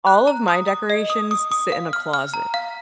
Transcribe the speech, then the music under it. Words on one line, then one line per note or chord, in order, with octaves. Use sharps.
All of my decorations sit in the closet.
F#6
A#5
D#6
D#6
D#5
D#6
D#6
D#6
F5
F6
F6
A#5
F5